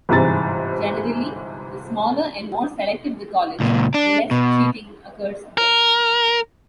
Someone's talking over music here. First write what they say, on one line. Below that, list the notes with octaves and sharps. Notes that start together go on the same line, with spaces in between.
Generally, the smaller and more selective the college, the less cheating occurs there.
G1 G#2 C3 E3 A#5 A6
C#2 A#2
D4
B2
A#4